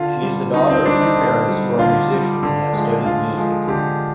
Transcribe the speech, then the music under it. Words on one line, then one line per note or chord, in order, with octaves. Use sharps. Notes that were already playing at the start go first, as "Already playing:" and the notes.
She is the daughter of two parents who are musicians and have studied music.
Already playing: D3 F4
G3
D3 D#4
C4
G3 D4
D#4
D3
G3
D3 F4
G3
D3
F3 G#3
D3 F4
F3 G#3
D3 G4